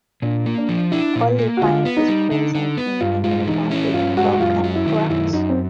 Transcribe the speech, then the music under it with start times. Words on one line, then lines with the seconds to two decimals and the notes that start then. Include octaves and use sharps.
Olivine is present in many mafic volcanic rocks.
0.22 A#2 D4
0.46 A#3
0.58 D4
0.69 F3
0.92 D4 E4
1.16 A#2
1.39 A#3
1.57 F#4
1.62 D3 F4
1.85 B3
1.97 D#4
2.08 G3
2.31 D3
2.55 D3
2.78 B3
3.01 G2 F4
3.24 G#3 F4
3.47 E3 D#4
3.70 C#4 E4
3.94 G2 F4
4.17 G#3 F#4
4.33 F#4
4.40 F#2 F4
4.64 F#3
4.75 E4
4.86 D#3
5.10 F#2 E4
5.33 F#2 D#4
5.50 C4